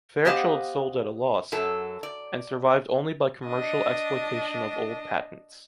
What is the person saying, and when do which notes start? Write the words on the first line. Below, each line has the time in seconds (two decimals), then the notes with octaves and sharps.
Fairchild sold at a lost, and survived only by commercial exploitation of old patents.
0.25 B3 G4 C5 D#5 F5 F#5
1.52 F#2 F#3 A4
2.03 D5
3.47 D4 D#5